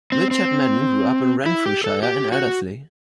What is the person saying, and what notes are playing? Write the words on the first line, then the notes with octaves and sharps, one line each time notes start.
Richard Madden grew up in Renfrewshire in Elderslie.
C4
C4
E4
G4
A4
G4
F#4